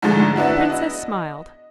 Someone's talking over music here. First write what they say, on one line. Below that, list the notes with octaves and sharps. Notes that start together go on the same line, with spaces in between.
The princess smiled.
G#2 D3 F3 G#3 A3
B3 D4 E4 F#4
D#5